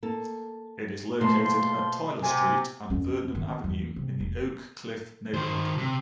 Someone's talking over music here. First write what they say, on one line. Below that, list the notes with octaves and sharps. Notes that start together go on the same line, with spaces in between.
It is located at Tyler Street and Vernon Avenue in the Oak Cliff neighborhood.
A#3 A4
B2 F3 A3 A#3 C6
C3 G#5
F2 C#4
D#3 C4
E2
C3
E1
D#3 C5
C3